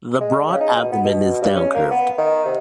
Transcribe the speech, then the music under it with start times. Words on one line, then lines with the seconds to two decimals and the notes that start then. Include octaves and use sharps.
The broad abdomen is downcurved.
0.21 G#3
0.48 C#3
0.60 D#4
0.77 B2
0.92 B3
1.05 B2
1.42 G2
1.56 C#4
1.75 A#3
1.91 B3
2.18 D#3
2.45 C3